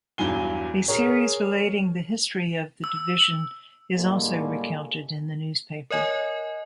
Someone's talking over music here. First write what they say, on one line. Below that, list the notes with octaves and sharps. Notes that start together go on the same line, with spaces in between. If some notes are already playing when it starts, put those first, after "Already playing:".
A series relating the history of the division is also recounted in the newspaper.
E2 G2 F#3 G#5 G7
G#4 A#4 C#5
E6
A2 D3 G3 G#3 A#3
A#4 C#5 D#5 G#5